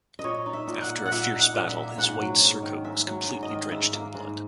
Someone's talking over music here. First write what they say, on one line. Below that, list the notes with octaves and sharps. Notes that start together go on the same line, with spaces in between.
After a fierce battle, his white surcoat was completely drenched in blood.
D#5
A#2 C#5
D#4
E5
A#2
F#5
A#3
F#5
A#2 E5
D#4
F#5
A#2
E5
A#3
G#2 F#5
F#3
G#2
D#3
G#2 E5
F#3
G#2
D#5
D#3
G#2 E5
A#3
G#2